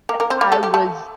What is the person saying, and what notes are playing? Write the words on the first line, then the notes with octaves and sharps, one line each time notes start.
Yep, I was
A#3 A#4
A#3 A#4
C4 C5
A#3 A#4
A3 A4
G3 G4
A3 A4